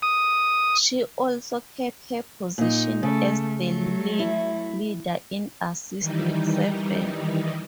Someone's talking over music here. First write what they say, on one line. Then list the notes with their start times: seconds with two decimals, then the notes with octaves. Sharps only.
She also kept her position as the league leader in assists with seven.
0.02 D#6
2.58 A#2 D#4
3.03 C#3 A3
3.63 F#3 A3
4.19 E4
6.00 D#3 E3 G3 D#4